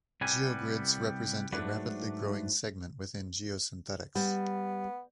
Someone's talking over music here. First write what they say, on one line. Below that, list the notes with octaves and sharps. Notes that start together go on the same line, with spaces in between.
Geogrids represent a rapidly growing segment within geosynthetics.
C2 G3 B3 G#5
G#2 F#3 A3 D4 B4
G3 B3